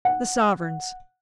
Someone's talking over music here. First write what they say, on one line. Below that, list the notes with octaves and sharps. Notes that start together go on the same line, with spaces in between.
The sovereigns!
F#5